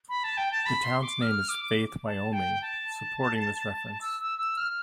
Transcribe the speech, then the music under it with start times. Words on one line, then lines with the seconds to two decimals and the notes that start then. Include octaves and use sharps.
The town's name is Faith, Wyoming, supporting this reference.
0.09 B5
0.24 A5
0.37 G5
0.51 A5
0.66 B5
0.83 C6
1.03 D6
1.21 F6
1.49 D6
2.05 A5
2.33 G5
2.61 A5
4.01 E6
4.20 E6
4.38 E6
4.57 F6